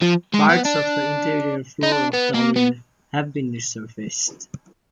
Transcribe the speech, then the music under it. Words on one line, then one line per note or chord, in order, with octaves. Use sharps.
Parts of the interior floor of Darwin have been resurfaced.
F3
G#3
B3
D4
D#4
D4
B3
A#3
B3